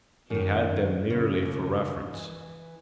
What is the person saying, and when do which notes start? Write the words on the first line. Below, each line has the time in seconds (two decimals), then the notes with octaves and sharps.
He had them merely for reference.
0.30 F#2 D#3
1.10 C#3
1.38 D#2 C#3
2.13 E3